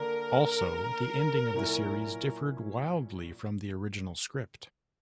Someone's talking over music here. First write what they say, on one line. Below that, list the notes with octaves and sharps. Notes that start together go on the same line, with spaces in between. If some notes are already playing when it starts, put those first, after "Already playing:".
Also, the ending of the series differed wildly from the original script.
Already playing: D3 A#3 D4 A#4
A#2 F#3 C#4 E4